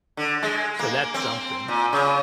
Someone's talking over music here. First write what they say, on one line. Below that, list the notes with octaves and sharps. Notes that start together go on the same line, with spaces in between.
So that's something.
D3
G#3
A#3
C4
A#2
C#3